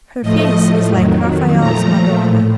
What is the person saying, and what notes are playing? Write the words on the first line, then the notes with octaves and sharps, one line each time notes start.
Her face is like Raphael's Madonna.
A2 F3 A3 D#5
F2 D#3 F#3
A#2 F3 A3 A#5
A2